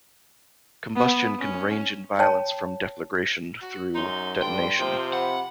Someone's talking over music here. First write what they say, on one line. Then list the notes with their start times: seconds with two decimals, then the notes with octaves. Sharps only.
Combustion can range in violence from deflagration through detonation.
0.95 B3
1.39 C#4
2.19 C#5 G5 A5
3.62 F#4
3.94 F#2 D#4 C6
4.42 G2 D3 G5
4.79 C3 F3
5.13 F#5 B5